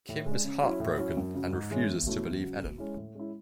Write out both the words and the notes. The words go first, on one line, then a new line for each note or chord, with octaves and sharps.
Kim is heartbroken and refuses to believe Ellen.
A2
G#3 D4
C#3
F#3 C#4 E4
A2
F#3 C#4 E4
F#2
C#3 F#3
G#2
E3 G#3 C#4
E2
B2 A3 C#4 E4
E2
C#3 F#3
B2
G#3 C#4 E4
A2
G#3 C#4 E4